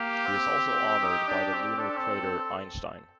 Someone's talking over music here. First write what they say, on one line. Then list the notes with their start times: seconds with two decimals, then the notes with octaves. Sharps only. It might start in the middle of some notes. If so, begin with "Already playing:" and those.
He is also honored by the lunar crater "Einstein".
Already playing: A#3 G4
0.27 C4
1.02 D#4
1.28 D4
1.53 C4
1.78 D4 A4
1.96 C4
2.15 C4